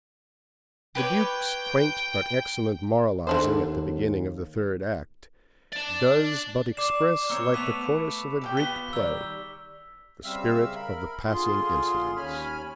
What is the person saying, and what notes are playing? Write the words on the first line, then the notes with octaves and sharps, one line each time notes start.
The Duke's quaint but excellent moralising at the beginning of the third act does but express, like the chorus of a Greek play, the spirit of the passing incidents.
G4 B4 C#5 G5
D#2 D3 D4 C5
D5 A5
D5 D6 C7 E7
A#3 C4 C#5 C#6 E6 C#7
A3 B3 B4 B6 E7 F7
G4 G#4 G5
B3 F4 B6 G7
D#3 G3 E6
C#3 G3 C4 E5 F5 E6
A#4 B5
D3 F4 G#4 C6
D#2 C#4 G#5 B5 F6